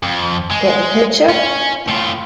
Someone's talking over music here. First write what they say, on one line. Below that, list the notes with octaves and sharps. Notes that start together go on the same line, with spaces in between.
Get the Picture?
F2
G#3
C#4
A2 F4